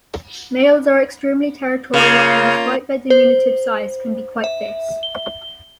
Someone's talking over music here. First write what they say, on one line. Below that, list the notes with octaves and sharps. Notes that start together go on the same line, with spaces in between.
Males are extremely territorial and-despite their diminutive size-can be quite fierce.
C#3 A#3 F4
C5
E5
G7